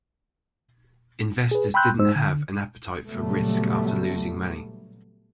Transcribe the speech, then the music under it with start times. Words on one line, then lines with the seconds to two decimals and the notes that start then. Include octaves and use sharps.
Investors didn't have an appetite for risk after losing money.
1.51 G#4 B4
1.74 G5 B5 C6 E6 F#6 G6
1.99 G#2 G#3 D#4 C5 E6
2.16 D3
3.08 A#2 C#3 F#3 G3 A3 B3